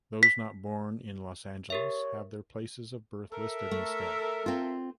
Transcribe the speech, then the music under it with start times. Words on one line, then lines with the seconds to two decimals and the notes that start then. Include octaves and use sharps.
Those not born in Los Angeles have their places of birth listed instead.
0.23 B6
1.70 G4 A#4 C#5 E5
3.32 A4 A#4 E5
3.71 A3
4.46 C4 F4